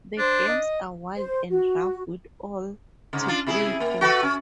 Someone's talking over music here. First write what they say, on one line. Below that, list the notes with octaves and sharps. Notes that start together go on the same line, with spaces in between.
The games are wild and rough with all to play for.
D4 C5
D#5
C5
F#4
G#2 C#3
D4 F4
C3 E4 G#4
A#3
F#4 A4 B4
C#4